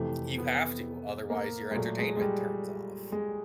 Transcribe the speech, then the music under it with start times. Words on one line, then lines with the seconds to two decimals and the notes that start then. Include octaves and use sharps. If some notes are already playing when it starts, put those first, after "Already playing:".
You have to, otherwise your entertainment turns off.
Already playing: F2 C3 E3 A3
0.38 B3
1.30 A#3
1.71 G#3
1.75 A#2 F#3 A3
1.99 G#3
2.17 G#3
2.21 G3
3.12 G#3